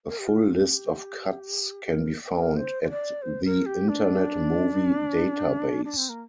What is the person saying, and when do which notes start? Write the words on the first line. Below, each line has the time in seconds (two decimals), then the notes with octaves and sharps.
A full list of cuts can be found at the Internet Movie Database.
0.10 A#4
0.19 G4
0.27 F4
0.54 A#4
0.60 G4
1.85 G4
1.91 A#4
2.35 A#4
2.56 C5
2.83 C5
2.90 D5
3.22 C5
3.45 A#4
3.66 G4
3.88 D4
5.85 D4
5.97 C4
6.09 A#3